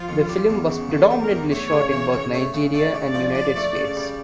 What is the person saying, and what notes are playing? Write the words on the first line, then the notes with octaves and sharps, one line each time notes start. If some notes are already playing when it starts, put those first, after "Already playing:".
The film was predominantly shot in both Nigeria and United States.
Already playing: F3 F4
F2
G3
E2
C#3
E2 A4
G3
A#4
E2
A3 C#5
C#3
E3
C#3
A3
C#3
A3 D5
C#3
D5
F3
D4
A3
C#3
G3